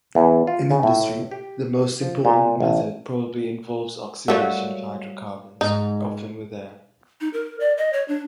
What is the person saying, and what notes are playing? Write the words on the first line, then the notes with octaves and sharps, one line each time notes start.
In industry, the most important method probably involves oxidation of hydrocarbons, often with air.
E2
F4
C#3
A2
G4
F3
A#2
A1
F#3 G3 A3 F#4 A#4 C#5 F5
G#2 D#4
D#4
A#4
D5
D#5
C#5
D4